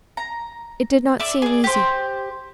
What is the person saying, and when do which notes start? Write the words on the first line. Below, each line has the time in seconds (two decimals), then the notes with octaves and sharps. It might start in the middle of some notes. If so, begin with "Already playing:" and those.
It did not seem easy.
0.17 A#5
1.20 D5 E5 D6
1.42 G#4 D5
1.64 G4 C5